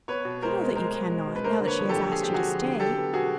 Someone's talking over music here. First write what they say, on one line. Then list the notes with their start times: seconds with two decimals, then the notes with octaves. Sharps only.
"You know that you cannot, now that she has asked you to stay."
0.08 B3 B4 C#5
0.25 B2
0.42 G#3 A#4 C5
0.59 G#3
0.76 G#3 A#4 C5
0.94 G#3
1.10 G#3
1.27 B2
1.36 B4
1.44 A#3 A#4 C5
1.61 D3
1.68 B4 C#5
1.78 F3
1.89 G4 A4
1.96 D3
2.12 D3 G#4
2.23 G4
2.29 D3
2.34 F#4 G#4
2.46 F3
2.63 D3
2.80 F#3 G4 A4
2.97 B3
3.13 B2 F#4 G#4